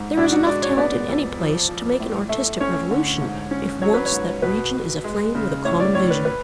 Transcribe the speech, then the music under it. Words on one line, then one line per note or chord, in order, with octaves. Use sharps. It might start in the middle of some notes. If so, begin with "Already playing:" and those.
There is enough talent in any place to make an artistic revolution, if once that region is aflame with a common vision.
Already playing: G#2
B2 D4
F#4
G#3 D5
C#5
B3 D5
F2
F3
F3
A2
A3
C#4 C#5
D3
G#2
C#4
F#3 C#5
B4
C#5
G#2
B2 B4
B2
G#3
C#3
A2 C#5
D5
A2 C#5
B4
B4